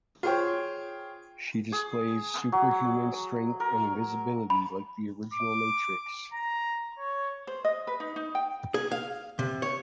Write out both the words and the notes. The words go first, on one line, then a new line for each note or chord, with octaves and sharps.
She displays superhuman strength and invisibility, like the original Matrix.
F4 G#4 C5 C#5 G5
G#4
F#3
A#4
B5
D6
A#5
C#5
C5
D#5
B4
D#4
D#4
G5
G#4
F5
C3
C#5